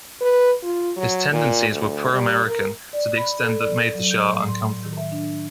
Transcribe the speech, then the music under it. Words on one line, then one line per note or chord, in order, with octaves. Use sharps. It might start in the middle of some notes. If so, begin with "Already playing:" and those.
His tendencies were pro-American to the extent that made the Shah uncomfortable.
B4
F4
F#3
A#2
D2
G3
A#4
D5
B5
A4
D5
F#3
G6
A2
C6
D#3
E5
D4